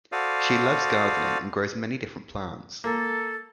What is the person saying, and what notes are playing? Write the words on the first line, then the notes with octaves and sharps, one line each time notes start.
She loves gardening and grows many different plants.
F#4 A4 C5 D5 F5 D#6
A#3 A4